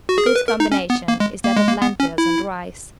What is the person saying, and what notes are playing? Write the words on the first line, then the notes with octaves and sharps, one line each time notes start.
A good combination is that of lentils and rice.
F#4
G#4
A#4
B4
A#4
D#4
C#4
B3
A#3
G#3
A#3
G#3
A#3
B3
C#4
E4